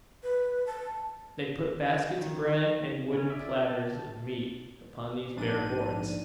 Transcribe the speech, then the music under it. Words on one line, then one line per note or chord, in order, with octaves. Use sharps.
They put baskets of bread and wooden platters of meat upon these bare boards.
B4
A5
D#3
C#3 C#4
F4 D5 E5
A5
A#1 G#2 D4 D#7